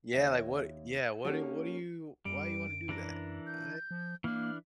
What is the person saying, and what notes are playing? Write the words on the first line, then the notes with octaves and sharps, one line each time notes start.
Yeah, like, what yeah, what do what do you why you wanna do that? I
D#2 C#5 D#5 E5 G5
A#3 C#4 D#4 F#4 G4 A4
F#2 G3 D7
E3 D4 A#4
G6
F3
E3 A#3 D4 F6